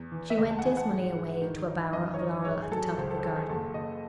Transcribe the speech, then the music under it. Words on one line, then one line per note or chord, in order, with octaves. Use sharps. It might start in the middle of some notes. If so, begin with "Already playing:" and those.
She went dismally away to a bower of laurel at the top of the garden.
Already playing: E2
E3
E5
C#2 D#5
A5
F#5
E3 G#5
F#5
G#2
G#2
D#3
D#4
F#2 D#5
C#5
D#3 D#5
G#2 C#5
G#4
F#3 A4
C#2 C5
A4
C5
E3 A4
G#4
F#1 A4
F#1 D#5